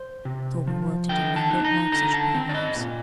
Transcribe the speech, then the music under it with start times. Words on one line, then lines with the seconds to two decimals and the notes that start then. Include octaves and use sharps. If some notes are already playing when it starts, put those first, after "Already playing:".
Sober well-to-do men don't like such pretty wives.
Already playing: C5
0.25 C3
0.67 F3
1.09 D3 G5
1.36 A5
1.51 D#4
1.64 A#5
1.92 D3 A#5
2.13 A5
2.35 C4
2.49 D5
2.54 D#5
2.75 A#2